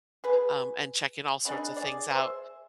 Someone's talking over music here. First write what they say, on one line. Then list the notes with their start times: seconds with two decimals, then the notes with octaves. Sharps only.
um, and checking all sorts of things out.
0.24 G#4 B4
1.45 D4 D#4 G#4 B5
1.76 G#4 D5
2.10 G#4 C5 E5